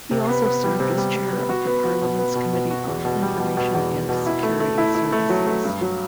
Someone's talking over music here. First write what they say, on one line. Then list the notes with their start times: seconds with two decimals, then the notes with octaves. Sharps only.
He also served as chair of the parliament's committee on Information and Security Services.
0.11 C3
0.29 B3
0.46 B3
0.64 G3
0.80 C3
0.98 G3
1.15 G3
1.32 B3
1.49 F#4
1.67 B3
1.84 F#4
2.01 B2
2.19 B3
2.35 B2
2.53 B2
2.71 F#4
2.88 E2
3.05 B2
3.22 G3
3.39 B2
3.57 B2
3.74 E2
3.91 B2
4.09 B2
4.26 E4
4.43 A3
4.60 A3
4.78 E4
4.95 E4
5.12 A3
5.29 F#3
5.47 A3
5.64 G2
5.81 F#3